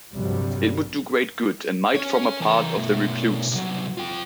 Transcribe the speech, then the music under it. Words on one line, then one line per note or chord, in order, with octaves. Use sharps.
It would do great good, and might form a Part of 'The Recluse'.
A#1 G2 C3 F#3 G3
C#4 C#5
E3 A#4
B2 A3
C2 F#3
F4 G5